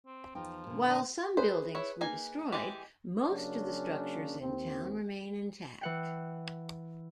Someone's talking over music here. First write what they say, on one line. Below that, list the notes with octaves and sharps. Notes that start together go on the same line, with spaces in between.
While some buildings were destroyed, most of the structures in town remain intact.
C4
E2 F3 D#4 G5
A#2 D3
D4 A#5 D#6
G#4 B4 C5
E4 C#5
A#3 D#4 G#5
E3 G#3 G4
C#3 F#3 A#3 C#4 D4
D#2 C4
E3 F#5 G5